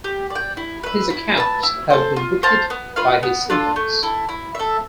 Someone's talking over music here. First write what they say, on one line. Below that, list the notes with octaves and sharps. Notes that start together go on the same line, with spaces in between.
His accounts have been repeated by his siblings.
G4
D5
G5
E4
B4 E5
E4
B4 E5 A5
E4
A4 C5
F4
C5 F5 A5
B3
F4 B4 F5
B3
D4 F4 A4
A3
E4 A4
E4
A4 E5